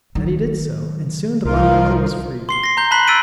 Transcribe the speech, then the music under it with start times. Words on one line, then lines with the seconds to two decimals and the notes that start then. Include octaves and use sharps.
Neddie did so, and soon the bunny uncle was free.
0.15 D#3 F#3
1.45 C2 F3 D#4 F4 A#4
2.49 C6 C7 G7
2.64 A#6 C7
2.77 A#5 G6 G7
2.91 A5 B5 F#6 B6 F#7
3.08 E6 A6 B6 D7 D#7